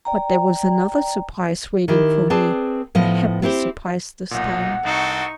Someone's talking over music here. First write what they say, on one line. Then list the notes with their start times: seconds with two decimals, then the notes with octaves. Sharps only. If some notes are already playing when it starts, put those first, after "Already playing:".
But there was another surprise waiting for me; a happy surprise this time.
0.05 D5 G5 A#5
1.88 D#3 E4 G4
2.30 C4 G#4 B4 D5 A5
2.95 A2 F3 B3 D#5
3.42 B3 C4 E4 G4 C5
4.31 B1 A#2 D#4 F#5
4.85 C2 C4 D#4 F#4 A4 C#6